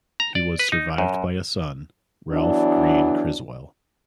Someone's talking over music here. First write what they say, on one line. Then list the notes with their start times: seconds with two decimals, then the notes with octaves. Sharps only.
He was survived by a son, Ralph Greene Criswell.
0.20 A#5
0.35 D5
0.59 B4
0.72 D#4
0.98 F#2
2.31 E3 F#3 B3 D4